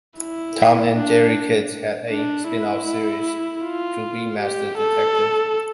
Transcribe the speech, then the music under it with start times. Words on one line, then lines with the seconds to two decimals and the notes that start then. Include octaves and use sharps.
"Tom and Jerry Kids" had a spin-off series, "Droopy, Master Detective".
0.19 E4
0.96 D4
2.10 D4
2.49 E4
3.63 F4
4.39 G4
4.77 A4